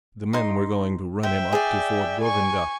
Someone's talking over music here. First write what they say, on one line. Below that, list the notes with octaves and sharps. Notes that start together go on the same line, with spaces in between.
The men were going to run him up to Fort Govindghar.
D#4 C6
C5 E5 G5
G#4 D5
G#5 C#6